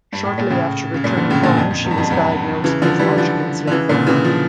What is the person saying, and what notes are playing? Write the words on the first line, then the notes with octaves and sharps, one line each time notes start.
Shortly after returning home she was diagnosed with Hodgkin lymphoma.
G2
A2
A#2
A2 C#3
C#3
G2 A#2
A#2 D3
A2 C#3
A#2 D3
F2
F2
E2
G2
F2
E2 G2
C#3 E3
D3 F3
E3 G3
D3 F3
D3
C#3 E3
A#2 D3
C#3 E3
F3